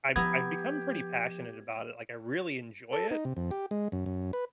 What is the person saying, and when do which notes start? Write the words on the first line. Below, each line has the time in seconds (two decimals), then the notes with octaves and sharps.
I've I've become pretty passionate about it, like I really enjoy it,
0.16 F3 B3 E4 G4 A#5 G#6
2.93 A4
3.11 D#4
3.25 C3
3.37 F2
3.51 G4
3.71 G#3
3.92 F#2
4.06 F#2
4.33 B4